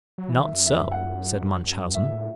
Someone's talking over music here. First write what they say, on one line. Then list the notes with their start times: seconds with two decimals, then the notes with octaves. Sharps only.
"Not so," said Munchausen.
0.18 F#3
0.30 E3
0.41 D#3 E5
0.53 F#2
0.66 E2 E5
0.80 F#2
0.91 F#5
1.94 G#2 E5
2.10 A2
2.20 E5